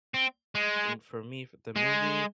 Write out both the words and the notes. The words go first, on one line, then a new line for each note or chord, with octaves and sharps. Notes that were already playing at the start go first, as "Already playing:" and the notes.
m for me f the movie,
C4
G#3
G#3